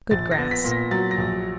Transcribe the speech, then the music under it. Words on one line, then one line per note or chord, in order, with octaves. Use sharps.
Good grass.
A#1 A6
A#6
B3
B6
A#2
A#6
F#3 A6
A#6
A#1